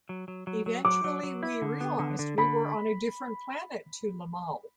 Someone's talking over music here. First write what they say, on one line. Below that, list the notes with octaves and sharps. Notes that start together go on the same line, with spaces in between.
Eventually, we realised we were on a different planet to Limahl.
F#3
F#3
F#3
F#3
F#3 D6
F#3
F#3
E4
D3
B3
D3
D3
D3 B5